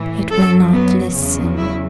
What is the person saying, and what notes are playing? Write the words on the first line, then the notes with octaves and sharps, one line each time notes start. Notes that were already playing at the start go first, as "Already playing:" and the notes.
"It will not listen!"
Already playing: A2 E3
F#2 F#3 A4
B3
E2 C#3 F#3
E4